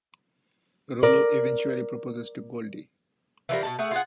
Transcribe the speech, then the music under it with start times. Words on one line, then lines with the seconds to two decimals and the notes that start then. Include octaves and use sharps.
Rollo eventually proposes to Goldie.
1.03 A#4 D5
3.49 E3 F3 G3 A#4
3.63 B2 G#3 A5
3.79 A3 G#4 F#5
3.91 F4 G#4 F#5